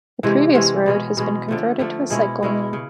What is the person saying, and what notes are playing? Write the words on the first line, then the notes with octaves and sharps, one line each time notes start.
The previous road has been converted to a cycle lane.
C3 E3 G#3 C#4
C3 E3 G#3 C#4
B2 G#3 C#4
B2 G#3 C#4
D3 F3 A3
D3 F3 A3
B2 G#3 C#4 E4
B2 G#3 C#4 E4
C#3